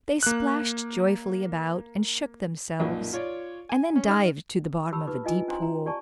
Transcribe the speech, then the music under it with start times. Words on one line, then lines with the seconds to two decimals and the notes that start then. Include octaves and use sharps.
They splashed joyfully about, and shook themselves, and then dived to the bottom of a deep pool.
0.23 A#3 F#6
2.80 B1 F#2 A#2
3.13 F4 C#5 D5
3.69 G#5
3.96 C#4
4.08 D#4 F6
4.93 G4 C#5 A5 B5 E6
5.07 D#4 B4 D6
5.24 E4 F4 D#5 G#5 D6
5.48 C#4 D4 C5 G#5 A#5 C6
5.62 A#5
5.86 G4 D5 G#5 A5 C#6